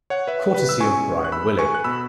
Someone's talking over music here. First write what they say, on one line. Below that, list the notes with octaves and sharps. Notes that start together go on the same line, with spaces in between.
Courtesy of Bryan Willy.
C#5 F#5
B4 E5
B4
E6
B2 G#3 C#4 G#5 C#6
F#6
B5 E6
G#5 C#6
F#6
B2 B3 B5 E6